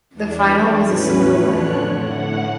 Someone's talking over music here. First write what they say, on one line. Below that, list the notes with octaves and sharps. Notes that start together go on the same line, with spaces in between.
The final was a single leg.
E2 D4
E2 A2 C#4 B4
F2 D3 D4 C#5 F#6
A2 F#5